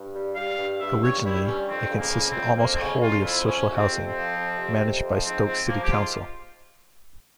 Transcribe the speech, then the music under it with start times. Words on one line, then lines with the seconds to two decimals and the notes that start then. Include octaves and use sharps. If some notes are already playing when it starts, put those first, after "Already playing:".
Originally, it consisted almost wholly of social housing, managed by Stoke City Council.
Already playing: G2
0.15 G3
0.36 G3 F5
0.58 G2
0.81 G2 E5
1.03 G3 C#5
1.25 G3 E4
1.47 G2 C#4
1.70 F2 C4
1.92 C#3
2.00 A#3
2.14 F2
2.22 A#3
2.29 C4
2.36 F3
2.58 F2 A#3
2.74 C4
2.81 C#3 C#4
3.03 F2 F4
3.25 F3 E4
3.47 F2 C#4
3.70 C3
3.77 C4
3.91 F2
4.07 C4
4.14 F3
4.36 F2
4.58 C3
4.80 F2
5.03 F3
5.25 G#2 C4
5.47 F3 C4
5.69 F3 A#3
5.84 G4
5.91 G#2 F4